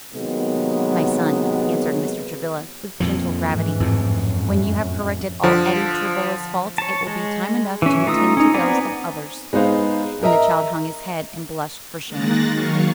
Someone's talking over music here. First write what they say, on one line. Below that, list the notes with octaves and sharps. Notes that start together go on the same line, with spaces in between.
"My son," answered Mr. Travilla with gentle gravity, "when you have corrected all Eddie Travilla's faults it will be time enough to attend to those of others." And the child hung his head and blushed for shame.
C3 D#3 F#3 G#3 A#3 B3
F2 A#2 F3
G#2 E3
F2 A2
F#2
D3 F3
C#5 A5
G#3
E3 C#4
A3 D#4 F4 D#6 E6
C#4 D#4
B3 C4 D5 G#5 A#5
G#3 B3 D#4 C5 F5
A#4 D#5 E5 A#5
D#3 G#3 A#3 F#6 A6 A#6
D#3 F#3 F5 C#6